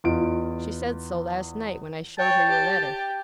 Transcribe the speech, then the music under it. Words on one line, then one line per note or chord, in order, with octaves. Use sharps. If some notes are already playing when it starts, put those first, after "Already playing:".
She said so, last night, when I showed her your letter.
E2 F4 D#5 D7
C#5 G5 A5
G4